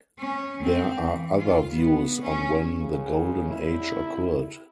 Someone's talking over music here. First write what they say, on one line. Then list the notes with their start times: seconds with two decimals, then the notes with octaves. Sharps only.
There are other views on when the Golden Age occurred.
0.18 C#4
0.62 C4
1.08 E3
1.38 F4
1.73 B3
2.21 C#4
2.80 C#3
3.50 E4